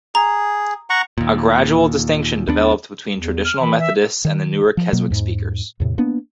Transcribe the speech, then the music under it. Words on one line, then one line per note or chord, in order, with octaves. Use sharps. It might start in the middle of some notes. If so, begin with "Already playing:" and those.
A gradual distinction developed between traditional Methodists and the newer Keswick speakers.
G#4 A#5
F#5 A#5 C#6
D#2 A#2
D#2 B3 D4
E2
F6
E3 B5
E5
D#3
F3
B2 F#3 A#3
E2 G#2
E2 A2 C3
A#3 B3 D4